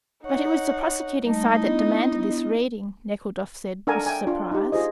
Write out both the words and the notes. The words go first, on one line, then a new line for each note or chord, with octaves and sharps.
"But it was the prosecuting side that demanded this reading," Nekhludoff said, with surprise.
D#4 C#5 F#5 C#6
G3 A3 D#4 D#5 A5
B3 D4 E4
D4 A4 A#4 F#5 G#5 A#5
E5 G5 G#5
D4 F4
D#4 G4
F4 G#4 C5 D#5